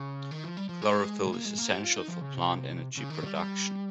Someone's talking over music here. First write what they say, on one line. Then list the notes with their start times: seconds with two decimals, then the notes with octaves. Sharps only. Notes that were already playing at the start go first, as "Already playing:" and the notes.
Chlorophyll is essential for plant energy production.
Already playing: C#3
0.31 D#3
0.44 F3
0.57 G3
0.69 F3
0.82 G#3
1.33 A#3
1.45 G#3
1.58 A#3
1.71 G4
1.84 F4
1.96 D#4
2.08 F3
2.21 C#3
2.34 C3
2.97 C#3
3.10 D#3
3.23 G3
3.35 G3